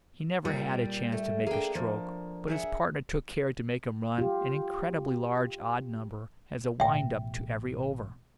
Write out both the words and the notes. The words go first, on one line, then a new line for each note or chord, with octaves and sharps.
He never had a chance to make a stroke, but his partner took care to make him run an incredibly large odd number as a wind up to every over.
A#2 G3
A3
A#3 D4 G#4 G5
F3
G#4 E5 F#5
F4 G4
A1 B2 E5 G5